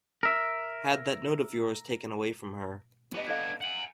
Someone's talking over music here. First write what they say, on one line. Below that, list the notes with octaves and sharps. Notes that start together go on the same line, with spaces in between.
Had that note of yours taken away from her.
A#4 E5
B3 D4 G4 D#5
A4 D#5 F5 G#6
F#5 G#5 F#7